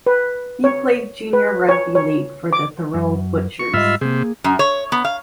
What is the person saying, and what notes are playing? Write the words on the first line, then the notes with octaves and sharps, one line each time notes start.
He played junior rugby league for the Thirroul Butchers.
B4
C#5
B4
C#5
C#5
D6
F#2
C#6
G#2 G3 F4 D#5 E5 B5
C3 A#3 G#4
F#2
C#5
B3
F5